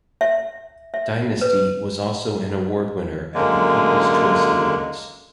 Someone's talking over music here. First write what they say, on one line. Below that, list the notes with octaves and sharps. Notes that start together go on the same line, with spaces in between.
"Dynasty" was also an award winner at the People's Choice Awards.
E5
E5
B4
F#2 D3 G#3 A#3